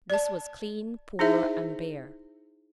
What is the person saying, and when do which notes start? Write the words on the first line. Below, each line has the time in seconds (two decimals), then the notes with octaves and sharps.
This was clean, poor, and bare.
0.10 D5 A5
1.19 D#4 E4 G#4 C5 E5